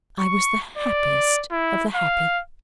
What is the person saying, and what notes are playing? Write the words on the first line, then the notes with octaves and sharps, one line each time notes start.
I was the happiest of the happy.
C#6
D5
E4
F5